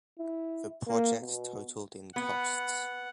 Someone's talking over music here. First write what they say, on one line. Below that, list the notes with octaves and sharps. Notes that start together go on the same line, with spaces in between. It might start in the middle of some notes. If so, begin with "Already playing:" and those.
The project totaled in costs.
E4
A#3
B2
B3 F#5